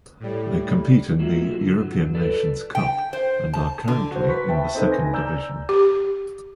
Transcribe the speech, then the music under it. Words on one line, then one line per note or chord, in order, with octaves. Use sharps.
They compete in the European Nations Cup, and are currently in the second division.
A2 G3
F#3 G#3 A#3 E4 F4
E4 F#4
D3
G2 F#3
A4 B4 D5
G5
C5
A5
D3
F#4 C5
B4 C#6 B6
E5 G5 A5
C4 D#4 A4 B4
G#5 A#6
D5 A#5 E6 G6
G4